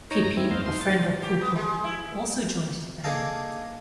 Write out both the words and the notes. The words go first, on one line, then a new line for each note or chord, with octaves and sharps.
Pipi, a friend of Pulpul, also joined the band.
D#4 C#5 A#5
G2 A#6
D#3 C4 E4
F2 C5 D#5 F5
D#4 C6
A6
G4
B3
G#3
E4
A#3 D4 D#4 G#4 A4 F5